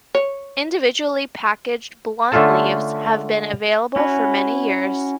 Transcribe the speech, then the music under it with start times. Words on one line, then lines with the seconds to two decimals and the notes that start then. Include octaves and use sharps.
Individually packaged blunt leaves have been available for many years.
0.15 C#5
2.32 D3 A3 C#4 F4 A4 A5
3.96 C#4 E4 F#4 B4